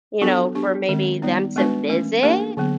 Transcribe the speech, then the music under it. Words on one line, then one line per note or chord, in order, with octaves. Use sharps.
you know, for maybe them to visit.
F#3 B3 D4 F#4 A4
B3 D4 G4
D#3 G#3 C4
G3 B3 D#4
G#3 B3 D4 F#4 B4
E3 A3 C#4
A#3 D4 G4 A#4
D3 F#3 B3